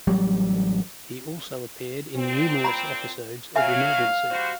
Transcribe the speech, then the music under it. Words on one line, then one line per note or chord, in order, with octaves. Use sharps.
He also appeared in numerous episodes of Emergency!
A1 F#3 G3
A#2 C4
A#5 B5
F#3 E5 F5 G#5
G3 F#4 C5